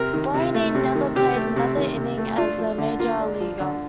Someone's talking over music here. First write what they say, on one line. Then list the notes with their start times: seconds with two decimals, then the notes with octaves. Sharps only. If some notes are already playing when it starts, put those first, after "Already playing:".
Breining never played another inning as a Major Leaguer.
Already playing: C3 A#4
0.14 D#3
0.34 C3
0.54 A3
0.75 C3
0.95 D#3
1.15 C3 G4
1.36 A3
1.56 C3
1.77 D#3
1.97 C3
2.17 A3
2.37 D4 F4
2.58 F3
2.78 D3
2.99 A#3 F4
3.20 D4
3.40 F3
3.60 D3